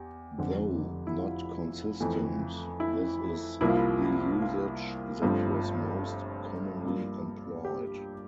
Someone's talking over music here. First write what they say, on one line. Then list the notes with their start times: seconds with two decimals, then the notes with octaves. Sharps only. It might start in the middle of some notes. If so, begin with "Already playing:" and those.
Though not consistent, this is the usage that was most commonly employed.
Already playing: E2 G4
0.38 F1 F2 D3
1.07 E4
1.19 F4
2.00 F2 E3 A3
2.80 E4
3.61 C2 C3 F3 A#3 E4
3.70 F4
3.77 E4
4.42 F4
5.22 G1 G2 F3 A3 C4
6.84 G2 F3 A#3
7.65 G4